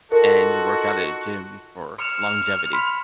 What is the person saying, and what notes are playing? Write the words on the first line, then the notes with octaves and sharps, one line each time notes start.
and you work out at a gym for longevity
D#4 F4 F#4 A4 A#4
F6 C#7 E7
B5 C6 B6